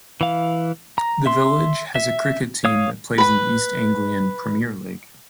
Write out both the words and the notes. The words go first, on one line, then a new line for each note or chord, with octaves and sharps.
The village has a cricket team that plays in the East Anglian Premier League.
E3 F5
A#5
E5 C6
E5
C#5 F5 D#6
B4 B5